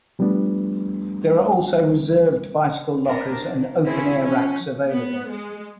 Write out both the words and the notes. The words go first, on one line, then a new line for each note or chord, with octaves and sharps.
There are also reserved bicycle lockers and open air racks available.
F3 G3 A3 B3 D4
B3 C4 D4 A#4
D#3
C4 C#4 E4 G#4
F3 C#4
B3
G#3